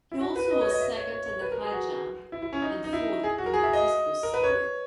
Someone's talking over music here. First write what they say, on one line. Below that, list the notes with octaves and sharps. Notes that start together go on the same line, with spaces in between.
He also was second in the high jump and fourth in the discus throw.
E4
F#4
B4
D#5
C#5
D#5
E5
C#5
C#5
C#5
B4
A#4
G#4
F#4
E4
E4
C#4
D#4
D#4
E4
G#4
F#4
A#4
G#4
E5
D#5
A#4
B4
C#5